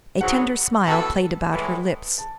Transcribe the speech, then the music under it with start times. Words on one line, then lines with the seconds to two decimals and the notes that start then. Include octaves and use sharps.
A tender smile played about her lips.
0.21 G#2 F#3 B3 F#5
0.86 A2 E3 B3 F#4 A4 A5
1.52 A2 E3 G#3 B5
2.18 A5